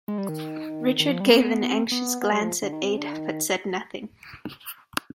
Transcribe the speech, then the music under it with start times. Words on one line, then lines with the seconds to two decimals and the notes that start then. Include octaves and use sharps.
Richard gave an anxious glance at Ada but said nothing.
0.08 G#3
0.18 G3
0.29 D#3
1.00 D#3
1.09 F3
1.20 G3
1.30 B3
1.61 B3
1.71 C4
1.92 B3
2.22 B3
2.32 G3
2.42 F3
2.62 D3
2.73 D#3
2.83 C3
2.98 D3
3.13 D#3